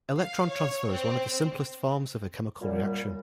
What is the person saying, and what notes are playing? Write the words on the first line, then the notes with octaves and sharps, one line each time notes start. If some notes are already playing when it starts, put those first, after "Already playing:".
Electron transfer is one of the simplest forms of a chemical reaction.
F5
C#5
C4
F#2 A#2 G3